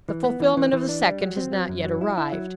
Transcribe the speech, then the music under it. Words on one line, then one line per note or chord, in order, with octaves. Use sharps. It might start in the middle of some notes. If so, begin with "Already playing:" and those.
The fulfilment of the second has not yet arrived.
E3
B3
E3
E3
E3
D4
G3
F#3
C4
F#3
F#2
F#3
E4
E4
F#3